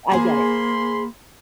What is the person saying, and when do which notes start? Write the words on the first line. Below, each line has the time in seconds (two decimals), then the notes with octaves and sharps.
I get it.
0.11 A#3 G#4 C5 B5 C6